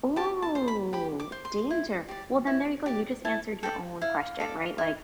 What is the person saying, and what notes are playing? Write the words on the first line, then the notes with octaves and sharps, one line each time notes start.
Ooh! Danger. Well, then there you go, you just answered your own question, right? Like,
G4 A5
A5
C5
B5
G4 B5
D6
C5
C6
E4
G4 D5
E4
G4 D5
E4 A5
A4 D5 G5
E4 F5
A4 D5
E4